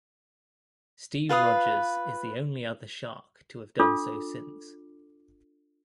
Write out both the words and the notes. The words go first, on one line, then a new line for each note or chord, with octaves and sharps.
Steve Rogers is the only other Shark to have done so since.
F4 B4 F5 D#6
D4 F4 A4 D6